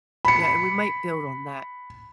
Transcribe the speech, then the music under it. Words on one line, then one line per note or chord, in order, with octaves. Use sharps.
you know, and we might build on that.
B5 C#7